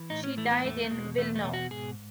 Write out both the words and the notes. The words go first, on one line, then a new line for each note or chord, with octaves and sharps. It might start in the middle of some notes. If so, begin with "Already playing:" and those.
She died in Wilno.
Already playing: E3
A2 D#4
C#4
E3 A3
B3
E2 A3
A3
B2 G#3
E2 A3
A3
B2
F#4
G#2 G#4